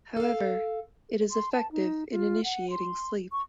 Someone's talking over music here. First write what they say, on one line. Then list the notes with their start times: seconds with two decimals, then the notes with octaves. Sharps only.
However, it is effective in initiating sleep.
0.17 A4 F5
1.31 C6
1.53 A5
1.72 D#4
2.11 F4
2.44 F#5
2.70 C6
3.32 C#6